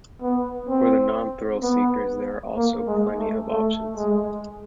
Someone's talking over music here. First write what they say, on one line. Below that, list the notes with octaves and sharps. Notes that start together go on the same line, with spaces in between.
For the non-thrill-seekers there are also plenty of options.
B3
C4
B3
A#3
G#3
A3
A3
G#3